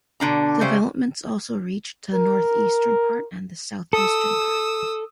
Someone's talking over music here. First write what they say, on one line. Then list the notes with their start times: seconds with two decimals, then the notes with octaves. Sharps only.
Developments also reached the northeastern part and the southeastern part.
0.20 B2 D3 D4 A#5
0.61 C#3 G3 A3 C5
2.14 A#4
3.93 A4 D#6 E6